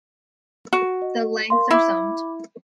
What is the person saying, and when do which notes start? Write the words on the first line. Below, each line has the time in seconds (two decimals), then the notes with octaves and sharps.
The lengths are summed.
0.73 F#4
1.02 D#5
1.50 A#4 F5 C6
1.71 E4 B5 D6